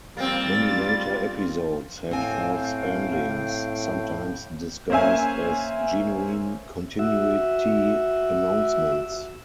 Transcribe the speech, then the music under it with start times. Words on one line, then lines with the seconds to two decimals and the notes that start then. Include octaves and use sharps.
Many later episodes had false endings, sometimes disguised as genuine continuity announcements.
0.17 G3 A#3 C4 F4 A6
2.11 A2 C4 F5 G5 G#5
4.90 A#3 C#4 C5 E5 G#5
6.99 F#4 E5